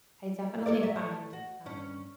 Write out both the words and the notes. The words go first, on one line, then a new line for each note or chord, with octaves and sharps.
I definitely find, um
A4 C#5 D5
F#3 E5
A3 C#5
F#4
G2 C#4